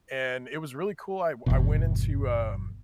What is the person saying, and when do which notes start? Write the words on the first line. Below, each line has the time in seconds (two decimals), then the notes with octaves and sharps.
and, it was really cool, I I went into, um,
1.46 G1 E2 B2